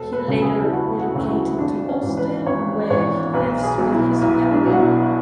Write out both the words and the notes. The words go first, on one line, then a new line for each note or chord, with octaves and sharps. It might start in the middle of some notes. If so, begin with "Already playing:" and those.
He later relocated to Ostend where he lives with his family.
Already playing: E1 A4
B4
D2 C#3 F#3
G#4
E4
E1 F#4
F#4
D2 C#3 F#3
E4
G#1 D4
C#4
G#2 E3
B4
G#1 C#5
D5
G#2 E3 C#5
B1 B4
G#4
B2 F#3
E4
B1 E4
D4
B2 F#3
F#4
E4